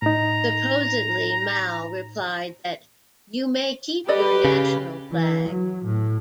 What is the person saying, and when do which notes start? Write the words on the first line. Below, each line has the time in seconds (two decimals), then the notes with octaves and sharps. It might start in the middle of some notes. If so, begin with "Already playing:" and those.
Supposedly Mao replied that "you may keep your national flag".
0.02 A2 D#4 A#5
4.08 G4 A4 B4 D5 D#5
4.45 C#3
5.12 E3
5.48 F#3
5.85 A2